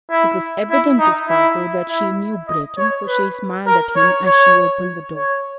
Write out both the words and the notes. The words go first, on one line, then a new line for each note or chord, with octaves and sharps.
It was evident to Spargo that she knew Breton, for she smiled at him as she opened the door.
E4
E4
D#4
E4
E4
D#5
C#5
B4
A#4
C#5
C#5
C#5